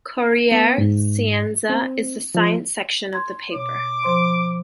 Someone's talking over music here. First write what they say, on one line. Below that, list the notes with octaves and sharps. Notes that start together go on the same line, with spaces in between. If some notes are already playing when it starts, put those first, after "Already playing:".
"Corriere Scienza" is the science section of the paper.
B3
G#2
C4
F3
C6 G#6
B2 C#5 D6
F3 C5 C6